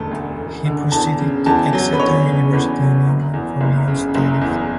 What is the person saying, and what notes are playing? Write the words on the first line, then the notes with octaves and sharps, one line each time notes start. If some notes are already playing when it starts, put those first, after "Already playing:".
He proceeded to Exeter University in England for legal studies.
Already playing: E1 D3 A3 A5
D2
E1
D3
E2 A5
C#3
E2 A5
F#3
B4
E2 C#5
C#3
E2 B4
F#3
F#1
E2
F#1
C#3
F#1
E2